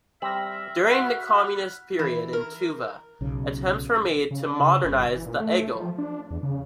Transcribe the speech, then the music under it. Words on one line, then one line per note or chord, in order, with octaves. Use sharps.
During the communist period in Tuva attempts were made to "modernize" the igil.
G3 C4 E5 E6 F6 A#6 F#7
F#4 F#5 B5 F#6 B6
E3
A#4
B1 C#3
C#3
D4
C#3
G1
E3
A#2
A3
F3
D4
E2
C#3